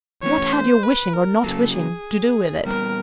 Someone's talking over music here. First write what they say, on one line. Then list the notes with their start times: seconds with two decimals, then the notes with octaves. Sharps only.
What had your wishing or not wishing to do with it?
0.23 E3 A3 C#4 C#5
0.53 C5
0.83 B4
1.14 A#4
1.44 C#3 F#3 A#3 A4
1.74 G#4
2.65 A#2 G3 B3 A#4